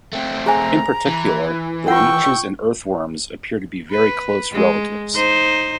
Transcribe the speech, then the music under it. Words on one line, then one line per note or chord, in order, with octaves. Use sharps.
In particular, the leeches and earthworms appear to be very close relatives.
A3 C4
G#4 C5 G#5 A#5
E3
F4 F#5 G5 C#6 E6
B4
G#3
D#4 C5